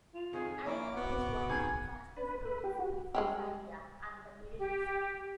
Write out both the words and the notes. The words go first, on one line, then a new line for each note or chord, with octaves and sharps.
Aleppo is one of the fastest-growing cities in Syria and the Middle East.
F4
F2 D#3 G#4
A#3 E4 C#5 D6
B3 F#4
D#3 G#4 G#6
B4
B4
G4
F#4
G3 G#3 G4
G4